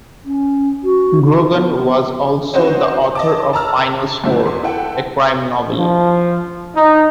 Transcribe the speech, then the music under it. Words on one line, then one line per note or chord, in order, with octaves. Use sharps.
Grogan was also the author of "Final Score," a crime novel.
C#4
F#4
D#4
B3
B3
C4 C#4 D#4 F#4 C5
D#5 A5 D6
A5 A#5 E6 F6
F#2 D3 A3 C4 E4
E2 C6
E4 A4 F#5 G5
F3
D#4